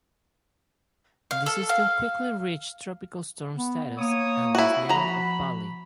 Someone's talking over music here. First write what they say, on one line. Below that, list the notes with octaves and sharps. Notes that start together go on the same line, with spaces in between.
The system quickly reached tropical storm status and was named "Pali".
F5
A4
F5
B3
A#3 C#5 D#6
E4 F#4
F3 F#4 A#5 B5